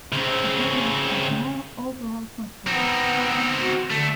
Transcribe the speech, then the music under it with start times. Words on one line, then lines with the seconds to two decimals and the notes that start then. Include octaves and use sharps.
A business has more overall control.
0.12 C#3 C4
2.67 B3 C4 D#4
3.59 F#4
3.91 D3 A3